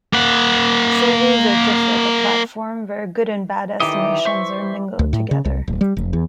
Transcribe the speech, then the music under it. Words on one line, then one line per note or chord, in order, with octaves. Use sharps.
Surveys are just like a platform where good and bad estimations are mingled together.
A#3 F#5
D#3 E3 G4 D5 D#5
C5 E5 C#6
D2
A2
C#3
C2
D1
G3
F1
E2